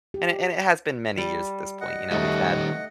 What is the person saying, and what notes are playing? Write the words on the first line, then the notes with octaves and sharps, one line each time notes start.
and it and it has been many years at this point, you know, we've had
G4
G3
D#5 F#5
D#3 G3 A3